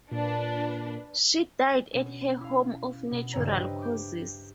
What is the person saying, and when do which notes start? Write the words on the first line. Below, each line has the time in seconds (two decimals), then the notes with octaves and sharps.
She died at her home of natural causes.
0.11 A#2 D4 B4
1.93 B2 C#4
2.41 E4 F5
3.11 B2
3.33 D#1 B1 G2 C#3 C#5 A#5
3.48 G4 B4 C5 D#5 E5 G5
3.82 D6 G6